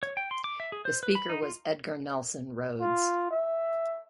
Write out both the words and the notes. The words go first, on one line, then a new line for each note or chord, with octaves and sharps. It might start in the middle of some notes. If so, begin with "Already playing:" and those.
The Speaker was Edgar Nelson Rhodes.
C#5
G5
C6
D6
E5
G#4
C5
B4
B5
D#4
F4
F4
E5